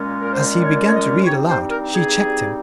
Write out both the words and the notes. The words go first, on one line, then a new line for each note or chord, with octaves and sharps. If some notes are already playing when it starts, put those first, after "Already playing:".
As he began to read aloud she checked him.
Already playing: A#2 G#3 C#4
A#4
C5
C#5
C#5
D#5
G2 G3 C4 D#4 C#5
C5
A#4
G#4